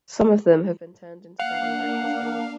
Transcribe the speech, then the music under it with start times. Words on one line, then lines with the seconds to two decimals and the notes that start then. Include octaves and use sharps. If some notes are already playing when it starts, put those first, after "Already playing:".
Some of them have been turned into bed and breakfast inns.
1.40 A#3 D4 F5 F#5